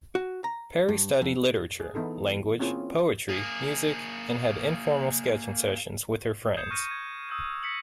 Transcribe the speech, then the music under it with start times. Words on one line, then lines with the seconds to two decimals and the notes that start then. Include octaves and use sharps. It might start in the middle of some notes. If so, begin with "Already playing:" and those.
Perry studied literature, language, poetry, music and had informal sketching sessions with her friends.
0.15 F#4
0.44 A#5
0.89 G2
1.22 F2
1.80 G#4
1.95 E3 B3 D#4 E4 A4
2.60 A#3 C4 C#4 E4 F4 G#4
3.29 A#3 G#4
6.57 D#6 G6 G#6 C7 C#7 E7
6.70 C#6 F6 A#6 C#7 D#7
6.91 G#6
7.29 D#6 E6 G6 D#7
7.63 A#6 B6 C#7 F#7